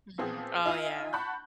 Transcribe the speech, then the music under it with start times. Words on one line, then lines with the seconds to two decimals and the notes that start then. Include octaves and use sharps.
Mhm. Oh, yeah.
0.18 A#2 F3 B3 C4 G#4
0.65 D#4 F4 E5 F5 G#5
1.13 F#5 A5 B5 C#6 F#6 G6